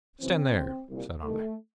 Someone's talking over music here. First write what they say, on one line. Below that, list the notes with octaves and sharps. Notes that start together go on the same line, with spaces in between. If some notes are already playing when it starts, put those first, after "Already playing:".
"Stand there," said I.
F#2 C#3 E3 C4
D#2 C#3 E3
C2 A#2
C2 C3 D#3 A3